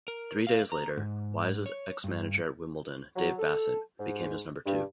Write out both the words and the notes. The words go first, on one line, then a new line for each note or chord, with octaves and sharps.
Three days later, Wise's ex-manager at Wimbledon, Dave Bassett, became his number two.
A#4
F5
A#5
G#2
C#5
G2
F#3
A4
G#2
G2